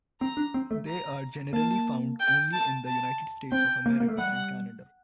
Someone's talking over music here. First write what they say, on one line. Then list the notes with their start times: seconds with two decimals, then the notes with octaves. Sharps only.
They are generally found only in the United States of America and Canada.
0.21 C4 A#5
0.37 D4
0.54 C4
0.71 A3
0.87 A#5
1.53 A#3 A5
2.20 G5
2.53 A5
2.86 A5
3.51 C4 G5
3.86 A#3
4.00 A#3
4.09 A3
4.18 G3 F#5